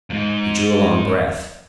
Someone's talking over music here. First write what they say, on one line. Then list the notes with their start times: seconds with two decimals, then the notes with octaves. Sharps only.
He drew a long breath.
0.10 F2 G#2